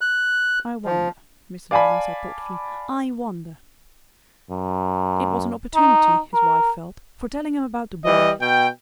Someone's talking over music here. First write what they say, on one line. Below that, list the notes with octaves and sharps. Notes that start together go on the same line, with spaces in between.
"I wonder," Mr. Darling said thoughtfully, "I wonder." It was an opportunity, his wife felt, for telling him about the boy.
F#6
F3
D5 F5 G#5 A5 B5
F#2
D#4
A#4
E3 G3 D#5
B2 G5